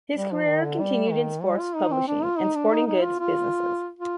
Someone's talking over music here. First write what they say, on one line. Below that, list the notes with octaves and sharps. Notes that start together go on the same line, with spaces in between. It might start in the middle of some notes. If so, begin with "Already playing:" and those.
His career continued in sports publishing, and sporting goods businesses.
G3
F3
D#3
D3
G3
D#3
G3
F4
D#4
C4
D4
F4
D#4
D4
D#4
D#4
F4
F4
F4